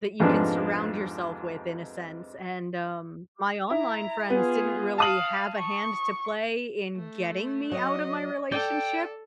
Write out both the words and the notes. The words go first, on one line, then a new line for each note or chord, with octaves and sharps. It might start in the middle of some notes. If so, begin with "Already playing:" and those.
that you can surround yourself with in a sense. and, um my online friends didn't really have a hand to play in getting me out of my relationship,
F2 G#2 C3 F3 B3 D4
E4 A#5
B3 F4 G#4
F5 A5 D#6 F#7
C#6
A3
F#3 D#5
A4 D5 G5